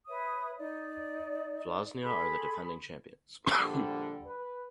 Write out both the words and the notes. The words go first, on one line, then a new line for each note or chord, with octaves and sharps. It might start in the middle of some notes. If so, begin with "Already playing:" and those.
Vllaznia are the defending champions.
B4 C#5 E5 D#6
D#4 D5
G#4 A4 B5 C6
A#1 D3 G3
B4